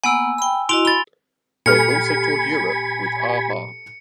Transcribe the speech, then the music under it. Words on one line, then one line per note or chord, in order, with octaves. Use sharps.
They have also toured Europe with a-ha.
A#3 B3 F#5 G#5 E6
G5 B5
E4 F#4 D#5 C6 D7 F7
B5 A6 G7
A#2 G4 A4 G#5 B5 F6 C#7